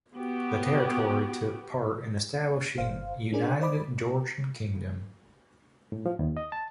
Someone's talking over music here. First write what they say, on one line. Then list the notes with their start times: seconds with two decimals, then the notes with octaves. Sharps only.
The territory took part in establishing united Georgian Kingdom.
0.15 B3 F#4 G4
2.78 G1 C5 F5
3.32 C#4 D4 G#4 A#4 D5
3.61 C5 D5 D#5 B5 D6
5.92 A2
6.06 F3
6.19 D#2
6.37 D#5
6.52 A5